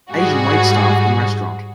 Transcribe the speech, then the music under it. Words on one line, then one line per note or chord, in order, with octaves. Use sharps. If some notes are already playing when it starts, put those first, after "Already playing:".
Asian waitstaff in restaurant.
G#2 G3 F#4 G#4